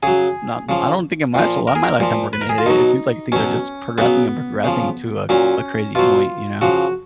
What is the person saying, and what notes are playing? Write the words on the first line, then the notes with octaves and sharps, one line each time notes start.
not I don't think in my my lifetime we're gonna hit it, it seems like things are just progressing and progressing to a to a crazy point, you know?
C#3 F#3 G#4
C#3 F3
A#2 F3
A#4
G#4
A#4
A#2 F3
B4
A#4
G#4
F4
B2 F#3 D#4
B2 F#3 C#4
C#3 F#3 B3
C#3 F3
A#2 F#3 C#4
B2 F#3 F4
C#3 F3 F#4